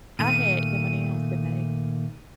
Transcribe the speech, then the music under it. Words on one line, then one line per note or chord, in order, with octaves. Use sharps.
I had M&M's today.
A#2 D#3 A3 D#7